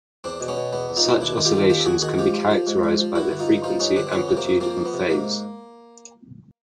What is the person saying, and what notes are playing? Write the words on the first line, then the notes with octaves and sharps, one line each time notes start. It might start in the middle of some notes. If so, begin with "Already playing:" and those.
Such oscillations can be characterized by their frequency, amplitude and phase.
E2 C4 D4
B2
B3 C#4
B2
E2 B3
E2
D#4 F4
B2
D#2 D4 E4
D#3
F4 G4
D#3
D#2 F4 G4
A4
D#2 F#4 G#4
D#3 F#4 G#4
G#2 F4 G4
F3
F3
G#2
G#2
F3
G2 E4 F#4
D3
D#4 F4
G2
F3 D#4 F4
G2 C#4 D#4
D3 C4 D4
C4
F2 B3 C#4
C3
A#3 C4
F2
F3 A#3 C4
F2
B3
C3
G#2 A#3